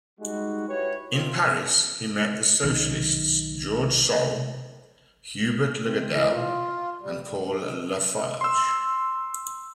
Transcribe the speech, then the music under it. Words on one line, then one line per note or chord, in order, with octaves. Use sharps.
In Paris he met the socialists Georges Sorel, Hubert Lagardelle and Paul Lafargue.
G3 G#3 D#4 F#4
E4 F#4 G4 B4 C#5
C3 C4 F4
B1 D#3
C3
E3
F4
G3
C6 E6